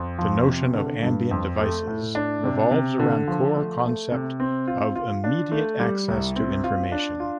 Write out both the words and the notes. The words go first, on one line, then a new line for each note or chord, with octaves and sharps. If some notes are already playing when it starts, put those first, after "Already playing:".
The notion of ambient devices revolves around core concept of immediate access to information.
Already playing: F2
F3
C3
D3
G2
F2
A3
A2
D4
C3
C3
D3
F3
A3
A3
C3
C4
F4
F4
D4
A3
G3
C2
C4
F4
D4
F4